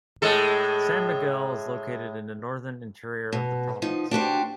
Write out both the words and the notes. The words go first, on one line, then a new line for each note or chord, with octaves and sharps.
San Miguel is located in the northern interior of the province.
A2 G#3 A4
B2
F3 D#4
D4 F#4 G4 C5